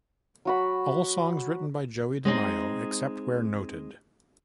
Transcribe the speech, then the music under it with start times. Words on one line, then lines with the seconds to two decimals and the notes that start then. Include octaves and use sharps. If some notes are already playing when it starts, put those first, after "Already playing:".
All songs written by Joey DeMaio, except where noted.
0.45 F#3 F#4 B5
2.25 G#3 C4 C#4 D#4